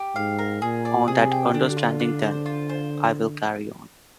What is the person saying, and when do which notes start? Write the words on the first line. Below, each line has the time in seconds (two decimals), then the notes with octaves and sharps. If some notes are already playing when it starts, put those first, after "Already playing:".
On that understanding then, I will carry on.
Already playing: G4
0.15 G#2 F5
0.39 A#4
0.62 A#2 G#4
0.85 D5
1.08 C3 G#4
1.32 G5
1.54 D3 D4
1.77 F4
2.00 D4
2.23 C5
2.46 F4
2.69 C5